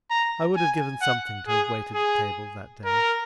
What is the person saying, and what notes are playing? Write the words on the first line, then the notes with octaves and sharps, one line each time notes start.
I would have given something to have waited at table that day.
A#5
G#5
F#5
G#4
G#4
A#4